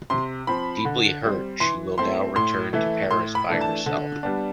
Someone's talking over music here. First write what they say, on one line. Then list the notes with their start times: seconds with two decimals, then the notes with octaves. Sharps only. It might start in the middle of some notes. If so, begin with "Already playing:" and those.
Deeply hurt, she will now return to Paris by herself.
0.10 C3 C6
0.47 F3 C4 B5
0.85 D3
1.23 G3 C4
1.60 E3 C6
1.98 A3 C4 E4 C6
2.35 A2 C6
2.73 E3 A3 E4
3.10 A2 C6
3.35 B5
3.48 E3 A3 D4
3.61 A5
3.86 D3
4.23 G3 B3 D4